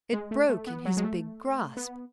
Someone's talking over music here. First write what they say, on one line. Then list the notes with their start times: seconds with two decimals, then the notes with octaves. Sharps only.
It broke in his big grasp.
0.13 G#3
0.31 A3
0.49 A3
0.67 B3
0.85 F#3
0.97 G#3
1.03 A3
1.77 B3